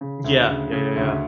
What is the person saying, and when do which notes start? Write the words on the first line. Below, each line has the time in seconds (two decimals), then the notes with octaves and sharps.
Yeah. Yeah, yeah, yeah.
0.01 C#3
0.25 D2
0.48 C#3
0.72 C#3
0.96 D2